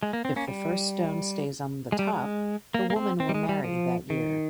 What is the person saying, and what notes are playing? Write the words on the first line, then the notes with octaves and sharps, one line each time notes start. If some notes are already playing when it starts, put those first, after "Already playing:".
If the first stone stays on the top the woman will marry that year.
G#3
A#3
C4
A#3 C#4
G3
G#3
G3
G#3
A#3
A#3
C4
C4
G3
G#3
G3
F3
D#3